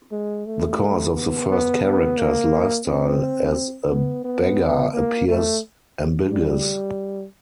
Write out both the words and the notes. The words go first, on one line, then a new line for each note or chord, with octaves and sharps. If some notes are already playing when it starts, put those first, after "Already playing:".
The cause of the first character's lifestyle as a beggar appears ambiguous.
G#3
A3
B3
B3
B3
A#3
C4
B3
B3
A#3
A3
G3